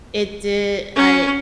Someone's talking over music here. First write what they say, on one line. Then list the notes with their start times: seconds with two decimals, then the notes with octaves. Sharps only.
it did I
0.96 C#4